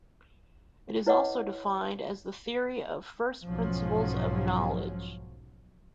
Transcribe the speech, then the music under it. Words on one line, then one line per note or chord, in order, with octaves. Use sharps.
It is also defined as the theory of first principles of knowledge.
E4 B4 C#5 D#5 F#5 D6
B1 G#2 F3 F#3 C#4